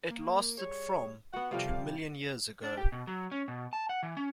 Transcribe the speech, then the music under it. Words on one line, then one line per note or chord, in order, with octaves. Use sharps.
It lasted from to million years ago.
A#3
G3 G#4 C#5
B3 F#4 F#5
C3 F3 G3 A4 D5 F5
D4
G4
B2
F#3
C#4
B2
A5
F#5
E3
C#4